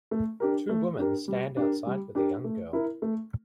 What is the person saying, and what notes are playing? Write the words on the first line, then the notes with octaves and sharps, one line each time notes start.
Two women stand outside with a young girl.
A3
D4 G4 A#4
A3
D4 G4 A#4
G3
D4 G4 A#4
G3
D4 G4 A#4
A3
E4 A#4
A3